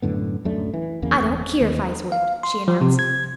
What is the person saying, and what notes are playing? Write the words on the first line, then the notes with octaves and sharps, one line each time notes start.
"I don't keer if I is whipped," she announced.
F#2 A2 D3 B3
D1 F#2 A3 D4
E3
F#1 E2 C#3 A#3
D#2
F5
C6
F3
C3
G#6